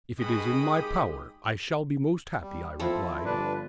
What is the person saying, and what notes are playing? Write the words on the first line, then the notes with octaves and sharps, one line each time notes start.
"If it is in my power, I shall be most happy," I replied.
D#2 B2 G#3 G5 B5 D#6
G4
G3
F3 C4 E4 A4
G1 D4 B4